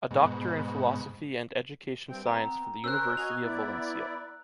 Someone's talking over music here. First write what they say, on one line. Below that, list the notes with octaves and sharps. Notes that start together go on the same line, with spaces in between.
A Doctor in Philosophy and Education Science for the University of Valencia.
G#2 B2
G2 C4 G5
B3 C4 A#5
C#4 A#4 C5 E6 F#6
F#4 D#5 G#5 F7
B3 E4 D5